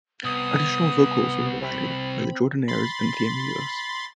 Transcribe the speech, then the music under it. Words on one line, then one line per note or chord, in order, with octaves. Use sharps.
Additional vocals were provided by The Jordanaires and The Amigos.
C2 B3 D#6
C4 B5
B5 C6 A6